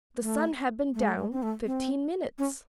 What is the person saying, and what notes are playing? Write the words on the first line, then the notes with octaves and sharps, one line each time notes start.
The sun had been down fifteen minutes!
A3
A3
G#3
A3
G#3
C4
A3
C4
C#4